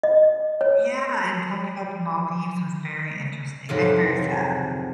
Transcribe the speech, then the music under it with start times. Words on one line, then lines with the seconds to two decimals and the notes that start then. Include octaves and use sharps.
Yeah, and talking about The Maldives was very interesting and very sad.
0.03 D#5
0.61 C#5
3.69 F2 G#2 C3 F3 F#3